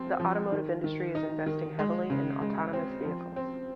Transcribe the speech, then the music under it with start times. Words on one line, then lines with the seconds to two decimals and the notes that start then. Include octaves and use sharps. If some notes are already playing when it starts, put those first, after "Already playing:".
The automotive industry is investing heavily in autonomous vehicles.
Already playing: F3 C4
0.20 F3
0.52 D#3
0.84 D#3
1.15 D#4
1.46 D#3
1.79 G#3
2.10 C#3
2.41 G#3
2.73 C4
3.05 F3
3.36 C4